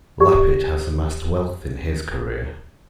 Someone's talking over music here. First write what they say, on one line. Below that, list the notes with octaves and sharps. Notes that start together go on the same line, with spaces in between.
Lapid has amassed wealth in his career.
G4 D5